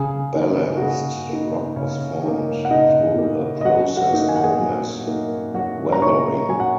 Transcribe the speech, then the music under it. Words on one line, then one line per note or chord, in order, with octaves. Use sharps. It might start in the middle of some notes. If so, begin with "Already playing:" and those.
Balanced rock was formed through a process known as weathering.
Already playing: C#3 G#4
A#3 D#4
F#4
C#3 G#4
A#3 D#4
C#3 C#4 C#5
A#3 D#4
F#5
C#3 D#4 D#5
A#3 D#4
D#5
F#3 F#4 F#5
F#4 F#5
A#3 D#4
G#5
F#5
G#4 G#5
F#3
A#3 D#4
F#3 F#4 F#5
A#5
A#3 D#4 C#5 C#6
F#3 G#5
F#5